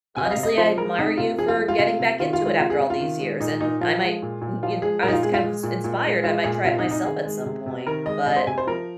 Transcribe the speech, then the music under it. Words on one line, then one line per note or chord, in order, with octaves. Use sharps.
honestly, I admire you for getting back into it after all these years, and I might, y you know, I was kind of ins inspired, I might try it myself at some point, but
C3 G#5
D#5
F5
C3
D#5
F3 C5
G#3 A#4
C3 D#4
C3 F4
F3 G#4
F4
G#3
F4
C3 F4
C3
D#3 F4
F4
G#3
F4
C3 F4
G#4
C3
F4
D#3
G#3
A#2 D#4
A#2 D#4
F3 F4
G#3
A#2
A#2
F3 F4
G#3 G#4
A#2 A#4
D#4
F4
G#3 G#4
F4
G#3
A#2
A#2
G#3
G#3 F4
A#2 G#4
C3 F4
D#4
C3
D#4
D#3 G#4
G#3
C3
C3
D#3 A#4
G#3 D#5
C3 D#5
C5
C3 G#5
C5
F3 A#4